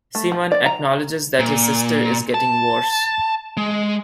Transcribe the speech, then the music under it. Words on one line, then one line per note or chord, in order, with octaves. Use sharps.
Simon acknowledges that his sister is getting worse.
A3
F3
D5
A#5
A#2
A5
G#3